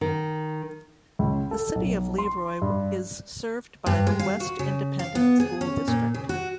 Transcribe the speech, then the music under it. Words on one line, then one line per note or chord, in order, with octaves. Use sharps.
The City of Leroy is served by the West Independent School District.
D#3
C#2
A4
B1
C6
G2
G2
G#3
F5
F#4
C#3
F5
B3
G#4
C#4
A#2
C#3
F#4